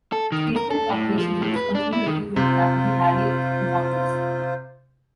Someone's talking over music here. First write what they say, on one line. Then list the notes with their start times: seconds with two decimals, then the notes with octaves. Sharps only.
Spacecraft operations were discontinued a few weeks after the Halley encounters.
0.12 A4
0.32 D#3
0.56 A#4
0.71 A4
0.89 A2
1.18 F3
1.42 A2
1.56 B4
1.75 D4
1.93 E4
2.06 D#3
2.36 C3 F4 C5